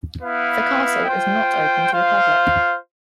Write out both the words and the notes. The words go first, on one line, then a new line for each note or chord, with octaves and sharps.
The castle is not open to the public.
B3 E4 B4 F5
F4 C5 G5
F4 C5 F5